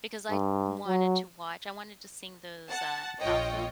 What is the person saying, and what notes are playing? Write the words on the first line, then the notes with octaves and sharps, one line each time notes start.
because I'd wanted to watch, I wanted to sing those, uh, Falco
G2
F#3
F#5 A5
A#1 F4 C#5 D#5 G5